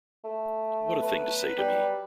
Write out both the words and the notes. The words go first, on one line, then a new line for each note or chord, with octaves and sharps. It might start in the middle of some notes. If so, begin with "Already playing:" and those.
What a thing to say to me!
A3
F#3 B3 B4
G3